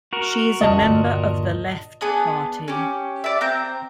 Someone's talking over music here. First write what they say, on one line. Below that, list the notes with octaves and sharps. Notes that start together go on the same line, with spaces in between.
She is a member of the Left Party.
F#4 A#4
F2 A#2 C#3 G3 D#5 A5
D#1 G2 D3
B3 D4 G#4 D#6
C#4 G4
D5 E5
C4 A#5 G6